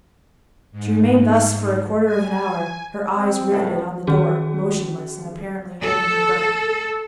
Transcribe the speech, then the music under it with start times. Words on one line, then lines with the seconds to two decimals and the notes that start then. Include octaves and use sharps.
She remained thus for a quarter of an hour, her eyes riveted on the door, motionless and apparently holding her breath.
0.72 G#2
2.06 G#5
3.12 C4
3.52 C#2 A2
4.07 D#3 C#4 F#4 G#4
5.82 A4